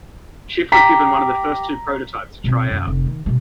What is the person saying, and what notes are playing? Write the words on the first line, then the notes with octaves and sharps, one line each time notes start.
Schiff was given one of the first two prototypes to try out.
G4 G5 A#5 B6
B2 C4
F#2 D3
F1
D#3
B2 G#3